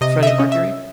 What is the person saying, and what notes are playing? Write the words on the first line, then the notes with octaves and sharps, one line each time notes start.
Freddie Mercury?
C3 D#5
E5
D#5
C#4
E5